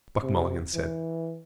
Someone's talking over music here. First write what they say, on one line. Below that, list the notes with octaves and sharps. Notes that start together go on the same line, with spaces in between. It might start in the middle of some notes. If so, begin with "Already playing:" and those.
Buck Mulligan said.
C3
E3